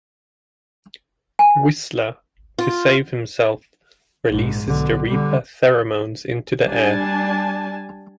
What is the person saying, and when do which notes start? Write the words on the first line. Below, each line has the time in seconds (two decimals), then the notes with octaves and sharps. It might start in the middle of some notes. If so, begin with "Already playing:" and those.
Whistler, to save himself, releases the reaper pheromones into the air.
1.39 G#5
2.58 F4
4.30 A#1 G#2
4.64 B1 D3
5.07 D3 G3
6.66 G3 D4 G#5 A5